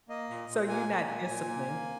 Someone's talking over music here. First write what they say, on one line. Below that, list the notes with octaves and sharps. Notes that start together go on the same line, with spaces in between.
So you're not disciplined.
A#3 D#5
A#2
A#2
A#3 G#5
A#3
A#2
A#2
A#3
A#3